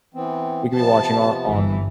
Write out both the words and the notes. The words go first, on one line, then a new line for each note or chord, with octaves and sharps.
We could be watching our on
E3 B3 C4
C3 F3 B3 A5
G1 E3